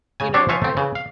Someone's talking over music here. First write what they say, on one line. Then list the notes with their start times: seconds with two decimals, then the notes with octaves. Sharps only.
you know, I,
0.20 C#3 G#5
0.34 C4 D4 G4 C5 C#5
0.49 F3 F#4 C#5 E5 F5 G#5
0.62 A3 C4
0.77 C#3 E3
0.95 F5